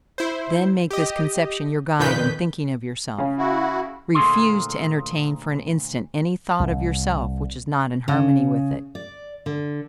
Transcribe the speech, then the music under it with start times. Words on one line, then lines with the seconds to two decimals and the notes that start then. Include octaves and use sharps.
Then make this conception your guide in thinking of yourself; refuse to entertain for an instant any thought of yourself which is not in harmony with it.
0.18 E4 C5
0.91 G4 D#5
2.00 F2 A#2 D#3 B4 G6 B6
3.18 C#3 C#4
3.38 E4 F#4
4.15 D2 A#2 G#4 A4 C6
6.60 C2
8.08 C#3
8.95 D5
9.46 D3